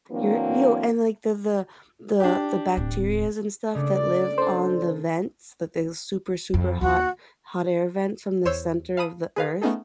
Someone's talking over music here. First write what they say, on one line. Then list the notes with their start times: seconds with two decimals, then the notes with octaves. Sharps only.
You're you and like the the the the bacterias and stuff that live on the vents that those super, super hot hot air vents from the center of the Earth,
0.11 E3 F#3 A#3 C4 D4
2.20 D4 G4
2.77 D1 C4
3.75 C#3 A3 D4 D5
4.38 D4 A4 C5
6.54 F2
6.81 D#2 A#3 F#4 F#5
8.45 E2 C5 C#5 E6
8.97 F5 A5 B5 D#6 D#7
9.36 G#4 B4 F5
9.61 A3 B3 C#4 D#4 G#4 A4